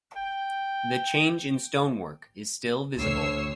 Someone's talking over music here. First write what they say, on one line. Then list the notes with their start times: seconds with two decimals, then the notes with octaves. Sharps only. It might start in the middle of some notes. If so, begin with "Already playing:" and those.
The change in stonework is still visible.
0.16 G5
2.97 D2 C#5 E6 C7